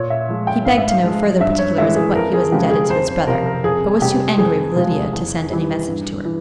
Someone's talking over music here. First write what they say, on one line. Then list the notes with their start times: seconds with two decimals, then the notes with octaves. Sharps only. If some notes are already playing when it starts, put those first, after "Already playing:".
He begged to know further particulars of what he was indebted to his brother, but was too angry with Lydia to send any message to her.
Already playing: A#2 C#5
0.10 E5
0.28 F3 G#3
0.47 G5
0.65 G#2 F5
0.77 E5
0.88 F5
1.03 F3 G#3
1.41 G2 E5
1.58 C#5
1.78 E3 G#3 E5
1.96 G#4
2.15 F2 A#4
2.33 G#4
2.52 C#3 F3 G#3 G4
2.71 G#4
2.89 F2 C5
3.07 C5
3.27 C3 F3 A#4
3.46 A#4
3.63 F2 G#4
4.01 C3 G3 G4
4.38 F2 G#4
4.75 C3 F3 G#3
5.13 E2
5.51 E3 G3
5.87 G2
6.25 E3